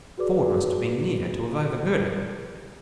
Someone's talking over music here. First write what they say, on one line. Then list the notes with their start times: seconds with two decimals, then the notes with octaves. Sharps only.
Ford must have been near to have overheard it.
0.18 F#4 G#4 B4 D5 D6